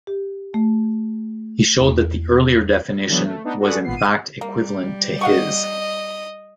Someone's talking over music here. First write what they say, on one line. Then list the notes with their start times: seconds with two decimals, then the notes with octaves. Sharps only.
He showed that the earlier definition was in fact equivalent to his.
0.07 G4
0.54 A3
1.80 E2
3.08 D3 E3 F#3 B3
3.24 A3
3.44 B3 D4 D#4
3.59 F#4 G#4 A4 B4 D5 F#5
3.84 G#1 A#2 B3 C7
3.96 D#7
4.41 G3 A#3
5.21 D#5 F5 F#5 C#6